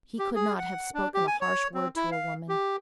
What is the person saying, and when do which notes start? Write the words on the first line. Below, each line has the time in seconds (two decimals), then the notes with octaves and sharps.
He could not have spoken a harsh word to a woman.
0.19 G4
0.35 G#4
0.59 F#5
0.94 D4
1.14 G4
1.27 G#5
1.41 C#5
1.74 C4
1.96 E4
2.12 F5
2.49 G4